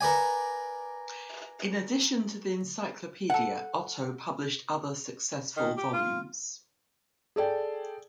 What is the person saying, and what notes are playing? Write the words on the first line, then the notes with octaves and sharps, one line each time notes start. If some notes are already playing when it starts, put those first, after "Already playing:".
In addition to the encyclopedia, Otto published other successful volumes.
A#4 B4 D5 G#5
A4 F#5
D#3
G4
F4
G#4 A4 D5 G5